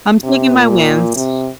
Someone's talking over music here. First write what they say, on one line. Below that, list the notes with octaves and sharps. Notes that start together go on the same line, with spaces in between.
I'm taking my wins.
C3
A#2
C3